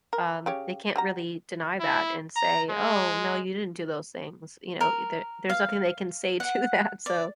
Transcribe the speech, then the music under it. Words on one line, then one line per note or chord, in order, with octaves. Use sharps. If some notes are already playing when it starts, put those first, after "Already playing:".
Um, they can't really deny that and say, "Oh, no, you didn't do those things." You know? Y there there's nothing they can say to that. So
A#4
C#3 G4 C#5
G3 F#4 A#5
E4
A#5
G#3
A#4
F5
F#5
D5